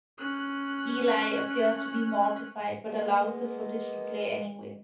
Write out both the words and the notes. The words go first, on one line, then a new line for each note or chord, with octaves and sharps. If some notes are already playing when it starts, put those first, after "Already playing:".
Eli appears to be mortified, but allows the footage to play anyway.
C#4 F#6
G#3 A#3 B3